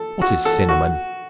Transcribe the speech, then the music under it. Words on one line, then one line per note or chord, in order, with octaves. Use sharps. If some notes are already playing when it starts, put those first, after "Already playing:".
What is Cinnamon?
Already playing: A4
F#4
A4
F#4